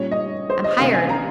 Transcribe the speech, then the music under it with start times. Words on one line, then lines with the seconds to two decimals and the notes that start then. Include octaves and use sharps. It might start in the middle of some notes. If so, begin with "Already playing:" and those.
"I'm hired."
Already playing: A#2 G3 C#4 C#5
0.11 D#5
0.50 C5
0.64 D#5
0.79 C3 D#3 A#3 C#4 F5
0.94 G#5
1.09 A#5